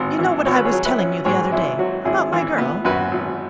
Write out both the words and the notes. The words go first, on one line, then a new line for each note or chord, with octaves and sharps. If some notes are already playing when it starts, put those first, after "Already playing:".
"You know what I was telling you the other day about my girl?"
Already playing: G#1 G#2
E3
G#1 C#5
B4
G#4 C#5
F#3
B4 E5
C#4
G#2 G#4 C#5
G#1 E4
F#3 F#4
G#1 E4 G#4
E3
B3
F#2 F#4 B4
G#1